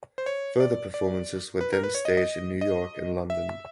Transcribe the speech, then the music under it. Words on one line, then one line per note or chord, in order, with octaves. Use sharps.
Further performances were then staged in New York and London.
C5
C#5
D5
D5
B4
A#4
B4
C#5
D#5
D#5
D#5
E5